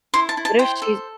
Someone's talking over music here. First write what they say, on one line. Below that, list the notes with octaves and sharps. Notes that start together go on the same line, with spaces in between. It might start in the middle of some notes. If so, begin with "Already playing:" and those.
what if she's
E4 C6
A5
E4
A5
C5 G5
A4